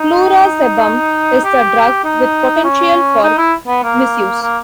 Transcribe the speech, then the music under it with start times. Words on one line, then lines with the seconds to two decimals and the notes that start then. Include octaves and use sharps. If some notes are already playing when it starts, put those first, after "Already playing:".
Flurazepam is a drug with potential for misuse.
Already playing: D#4
1.44 G4
2.04 D#4
2.64 C#4
3.24 D#4
3.38 E4
3.67 B3
3.83 A#3
4.42 A#3